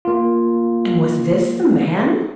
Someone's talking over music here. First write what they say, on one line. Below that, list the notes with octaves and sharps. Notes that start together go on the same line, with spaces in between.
And was this the man?
A#3 F4